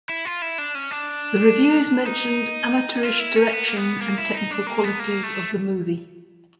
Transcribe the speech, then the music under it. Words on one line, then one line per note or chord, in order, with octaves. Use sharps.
The reviews mentioned amateurish direction and technical qualities of the movie.
E4
F4
E4
D4
C#4
D4
D#4
F4
E4
C#4
B3
A#3
B3
A#3
E4
D#4
D4
A#3
B3
A#3
A3